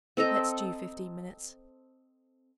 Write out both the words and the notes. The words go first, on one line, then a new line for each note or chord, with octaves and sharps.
Let stew fifteen minutes.
C4 A4 D#5 A#5